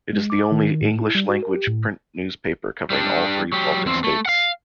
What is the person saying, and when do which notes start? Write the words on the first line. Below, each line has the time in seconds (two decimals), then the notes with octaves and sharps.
It is the only English language print newspaper covering all three Baltic states.
0.13 G#3
0.30 D6
0.52 D#3
0.82 A2
1.02 E4
1.15 G3
1.29 F#4
1.43 A#4
1.55 G4
1.67 A2
2.90 G3 D4
3.52 F#3 G4
3.86 E2 C4
4.04 A3
4.25 F5 F#5